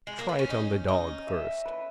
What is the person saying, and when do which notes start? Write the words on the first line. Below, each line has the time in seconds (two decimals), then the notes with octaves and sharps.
Try it on the dog first.
0.07 G#3
0.19 A#3
0.29 B3
0.39 C#4
0.50 C#4 D#4
0.88 C#4 D#4
1.27 E5
1.65 B4